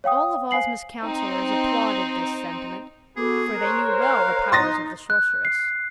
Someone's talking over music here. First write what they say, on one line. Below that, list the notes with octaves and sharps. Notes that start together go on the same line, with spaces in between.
All of Ozma's counsellors applauded this sentiment, for they knew well the powers of the Sorceress.
C#5 F5 G5 D#6
C5 F5 G#5 C7 F#7
C4 D#4
B3 F#4 G#4 A4 D6
A#4 C5 C#5 A#5 F#6
F5
D#4 C6 D#6 A6 A#6
F#6
C7